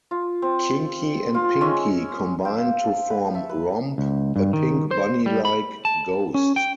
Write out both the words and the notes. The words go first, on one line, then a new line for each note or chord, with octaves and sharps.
Kinky and Pinky combine to form Romp, a pink bunny-like ghost.
F4
C4
F4
G#3 C#4 E5
C5 F5 G5 E6
A5
B4
E5 A5 C#6
B4
C#2
G2
D#3
C5
G3
B5
A5
C#4
G5